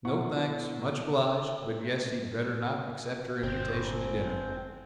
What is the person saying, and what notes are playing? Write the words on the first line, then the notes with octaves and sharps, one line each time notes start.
No thanks; much obliged, but guessed he'd better not accept her invitation to dinner.
B2 E4 F#5 C#6
G1 C4